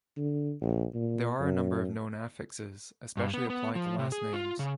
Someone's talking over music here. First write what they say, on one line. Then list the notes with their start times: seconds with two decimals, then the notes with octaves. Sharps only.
There are a number of known affixes, especially applied to last names.
0.17 D3
0.62 A#1
0.94 A#2
1.40 F#2
3.17 G2
3.34 B3
3.50 B3
3.75 F3
3.99 C3
4.12 G#4
4.33 F4
4.59 C#3